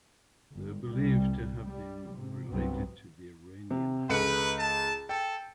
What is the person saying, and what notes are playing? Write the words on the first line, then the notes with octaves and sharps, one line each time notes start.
They are believed to have been related to the Iranian Huns.
G1
C2 G3
G3
G#2 C3
C2 G2 F#3 B3 C4
C3
C#2 A4 B4 C#7
A5
A4 G5